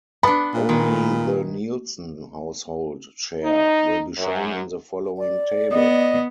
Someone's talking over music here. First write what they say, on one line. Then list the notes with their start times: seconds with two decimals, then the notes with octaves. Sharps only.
Only the Nielsen household share will be shown in the following table.
0.23 B3 D4 B5
0.54 A#2
0.69 D#3 G#3
3.43 D#4
4.18 F#2
5.18 D5
5.72 B3 D#5